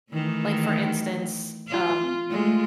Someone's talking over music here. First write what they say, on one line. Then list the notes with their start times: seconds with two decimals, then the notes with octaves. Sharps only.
like, for instance, um
0.12 D#3 E3 A3
1.68 F4
2.30 G#3 A3 F4